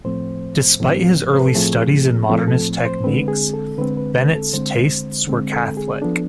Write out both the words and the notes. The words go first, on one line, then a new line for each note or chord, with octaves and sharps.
Despite his early studies in modernist techniques, Bennett's tastes were Catholic.
A2 F3 A3 C4 C5
A2 F3 A3 C4
C5
B4
A4
A2 F3 A3 C4 G#4
A2 F3 A3 C4 A4
A4
C5
D3 G#3 C4 B4
G#4
A4
D3 G#3 C4 B4
B4
B4
A4
D3 G#3 C4 C5
D3 G#3 C4
A4
G#4
F3 B3 D4 A4